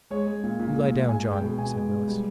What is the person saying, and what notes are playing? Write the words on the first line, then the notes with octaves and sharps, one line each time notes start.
"You lie down, John," said Willis.
G#3 C#5
G#3
A#2
A#2
G#3
G#3
G#3 G#5
G#3
G5
B2
B2 G#5
G#3
G#3
G3